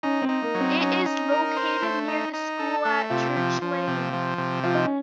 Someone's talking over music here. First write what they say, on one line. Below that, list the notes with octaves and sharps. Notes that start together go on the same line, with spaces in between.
It is located near the school at "Church Lane".
C#4 D#4
C4
D#4
A#3
F#3
C4
C#4 D#4
D#4
A#4
C5
A3
D#4
D#4
A4
A3
C3 F4
F3
F3
C3
F3
C3
F3 F4
D#4
C#4